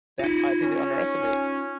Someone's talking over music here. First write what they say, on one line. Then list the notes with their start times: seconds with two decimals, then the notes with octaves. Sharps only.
that, I think they underestimate.
0.19 D#4 F4
0.63 C#4